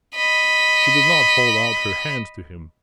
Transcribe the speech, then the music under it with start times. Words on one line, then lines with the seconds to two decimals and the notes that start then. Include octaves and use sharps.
She did not hold out her hand to him.
0.16 D#5 B5